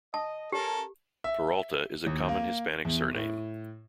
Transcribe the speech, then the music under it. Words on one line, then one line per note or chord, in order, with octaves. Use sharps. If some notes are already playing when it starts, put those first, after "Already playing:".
Peralta is a common Hispanic surname.
D#5 A5
C#4 G4 A4 A#4
E5
D#2
A#3
E2
A2